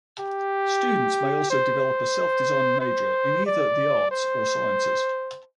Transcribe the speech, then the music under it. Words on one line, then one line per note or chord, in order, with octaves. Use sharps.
Students may also develop a self-designed major in either the arts or sciences.
G4
C5
C5
D5
C5